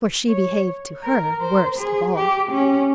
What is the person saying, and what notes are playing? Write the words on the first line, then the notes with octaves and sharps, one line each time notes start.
For she behaved to her worst of all.
C#5
A#4
C5
G#4
G4
C#4